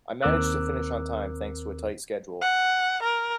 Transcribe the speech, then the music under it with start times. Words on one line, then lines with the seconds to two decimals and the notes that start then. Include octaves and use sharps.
I managed to finish on time thanks to a tight schedule.
0.23 D#2 C4 A#4 D6 E6 F#6
2.42 F#5
3.03 A#4